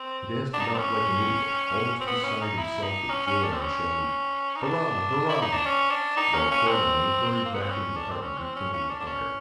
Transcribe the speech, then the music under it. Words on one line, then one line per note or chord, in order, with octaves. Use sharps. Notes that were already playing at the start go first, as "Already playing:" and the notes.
He danced about like an idiot, almost beside himself with joy, and shouted, "Hurrah! hurrah!" while Clawbonny hurried back into the hut and rekindled the fire.
Already playing: C4
D4
D#4
D4
C4
C#4
C4
B3
C#4
D#4
E4
D#4
C#4
C#4
D4
C4
C#4
D#4
D4
E4
D#4
D4
C#4
D4
D#4
C#4
C#4
C4
A#3
B3
C4
C#4
D4
C4
C#4
C4
C#4
C#4
D4
D4
C#4